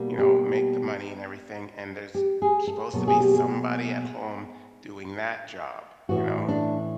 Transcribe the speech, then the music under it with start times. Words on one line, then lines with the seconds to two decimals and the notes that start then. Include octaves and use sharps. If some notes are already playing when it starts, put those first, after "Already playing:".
you know, make the money and everything, and there's supposed to be somebody at home doing that job, you know,
Already playing: B2 G3 A#3
0.18 G4
2.15 G4
2.42 G#4
2.67 A4
2.93 B2 F#3 A#3 A4
3.08 G#4
3.21 G4
3.34 G#4
6.09 A2 E3 A3 F#4
6.48 D4